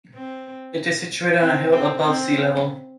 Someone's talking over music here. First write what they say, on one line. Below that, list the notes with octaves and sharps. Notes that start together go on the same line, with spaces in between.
It is situated on a hill above sea level.
C4
C4
C4
C4